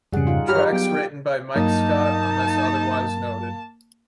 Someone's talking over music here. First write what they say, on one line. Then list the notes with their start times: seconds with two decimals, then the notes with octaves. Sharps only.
Tracks written by Mike Scott, unless otherwise noted.
0.13 F2 G#2 C#3 G3 G#4 F#5
0.27 D#4 F4
0.48 G2 F#3 G4 A#5 B5 F6
0.73 F#3 B3 G5
1.56 G2 F#3 A#3 D#4 A5